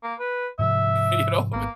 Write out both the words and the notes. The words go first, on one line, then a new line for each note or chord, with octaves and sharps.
you know?
A#3
B4
G#2 C3 F3 E5
G#1 A#3 B3